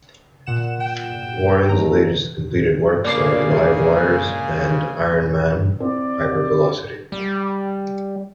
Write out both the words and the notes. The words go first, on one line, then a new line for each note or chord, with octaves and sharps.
Warren's latest completed works are "Livewires" and "Iron Man: Hypervelocity".
A#2 F#5 E7
G5
D#2 A#5
C#3 G#3 A#3 D4 D5 G#5 D6 C7
C4 E4 D5
G3